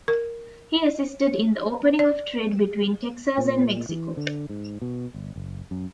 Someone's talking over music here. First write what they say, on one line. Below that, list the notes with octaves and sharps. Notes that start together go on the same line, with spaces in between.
He assisted in the opening of trade between Texas and Mexico.
A#4
D5
A#2
E3
D3
G#2
B2
G1
F#1
F#2